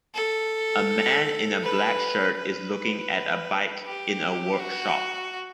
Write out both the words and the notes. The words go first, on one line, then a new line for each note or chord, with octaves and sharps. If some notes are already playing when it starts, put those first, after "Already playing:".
A man in a black shirt is looking at a bike in a workshop.
A4
B4
B4
G4
F#4